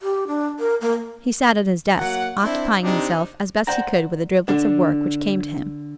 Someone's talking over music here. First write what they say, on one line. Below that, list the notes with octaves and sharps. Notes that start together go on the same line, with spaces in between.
He sat at his desk, occupying himself as best he could with the driblets of work which came to him.
G4
D4
A#4
A#3
F#3 A#3 F#5
C4 D4 E4
C3 C4 D4 D#4
C5 D5 F#5 G5 A#5
D3 D4